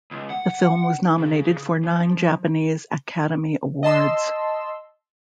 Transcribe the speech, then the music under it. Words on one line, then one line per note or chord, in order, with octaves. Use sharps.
The film was nominated for nine Japanese Academy Awards.
C#2
F#5
C#3
F3
D#5 A5 C6 E6